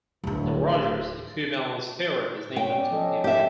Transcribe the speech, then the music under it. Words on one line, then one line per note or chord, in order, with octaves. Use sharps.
The Rogers equivalence theorem is named after him.
D1 D3
C#4 C#5 G5
B3 C#4 D5
F3 A4 D#5
G4 E5